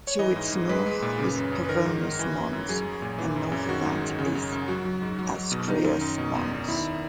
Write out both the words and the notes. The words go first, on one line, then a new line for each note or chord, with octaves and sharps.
To its north is Pavonis Mons, and north of that is Ascraeus Mons.
C#5
E3 D#5
G#2
G#2
G#3 B4
G#3
A#2
C#3
F#2
F#2
B4
D#3 A#4
G#2
G#2
E3
F#2
F#2
F#3 G#4
F#3
A#2
E3
F#2
F#2
D#3 F#4
G#2
G#2
C#3
F#2
F#2
F#3 F#4
F#3
G#2
F#3
F#3
B2
D#3 D#4
F#2
F#2
B2
E2
E2
D#3 E4